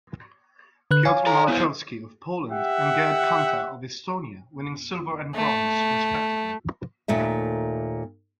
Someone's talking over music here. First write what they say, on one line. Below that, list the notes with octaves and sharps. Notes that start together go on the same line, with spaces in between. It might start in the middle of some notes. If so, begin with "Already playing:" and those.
Piotr Malachowski of Poland and Gerd Kanter of Estonia winning silver and bronze, respectively.
D3 B4 F#6
C#5 F5 G#5
A4 A#5
B3 E4 C5
G4 E5 F#5
A3
D#2 A#2 A3 E5